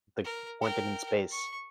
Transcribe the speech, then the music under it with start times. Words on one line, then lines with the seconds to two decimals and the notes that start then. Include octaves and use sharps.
the pointed in space,
0.24 A#4
0.62 A#4 G5
1.31 C#6